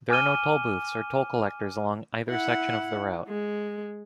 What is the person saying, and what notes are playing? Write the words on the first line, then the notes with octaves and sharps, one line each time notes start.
There are no tollbooths or toll collectors along either section of the route.
G#5 D6 F6 D#7 G7
E4 F#5
G#3